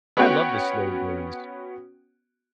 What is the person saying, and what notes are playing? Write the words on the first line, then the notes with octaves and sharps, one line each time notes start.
I love the slow burns.
B3 C#4 F#4 C#5 F#5 G5